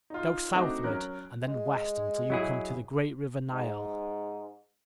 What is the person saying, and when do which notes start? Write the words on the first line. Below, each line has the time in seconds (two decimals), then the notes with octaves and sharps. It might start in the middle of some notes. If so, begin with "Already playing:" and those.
Go southward and then west until you come to the great river Nile.
0.10 D#4 F4
0.53 A3 C4 D4 D#4 F#4
0.84 F#3 C#4 A#4 F#6
1.47 G#3
2.30 F#3 E4 G#4
3.52 G#2